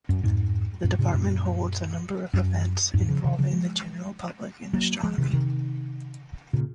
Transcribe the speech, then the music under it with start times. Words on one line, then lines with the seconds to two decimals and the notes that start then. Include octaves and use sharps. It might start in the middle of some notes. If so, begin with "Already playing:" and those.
The department holds a number of events involving the general public in astronomy.
0.09 F#2
0.23 F2 G#2
0.84 F#2 A#2
0.99 G#2 C3
1.14 F#2 A#2
2.33 F#2
2.94 F2 G#2
3.08 C#3 F3
3.24 C3 D#3
3.39 C#3 F3
3.53 F3 G#3
4.73 F#3 A#3
5.03 F3 G#3
5.18 C3 D#3
5.33 C3 D#3
6.53 A#2 C#3